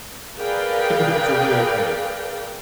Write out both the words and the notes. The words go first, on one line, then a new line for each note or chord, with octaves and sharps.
it's a weird thing.
G#4 A#4 B4 D5 F5 G5